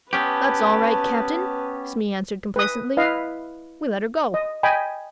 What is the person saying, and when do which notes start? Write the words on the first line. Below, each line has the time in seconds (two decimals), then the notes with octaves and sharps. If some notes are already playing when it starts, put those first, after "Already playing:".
"That is all right, captain," Smee answered complacently; "we let her go."
0.13 B3 C#4 G4 B4 A5
2.56 B4 D#6
2.97 E4 B4 D#5 F5
4.34 D#5
4.63 D#5 G5 G#5 B5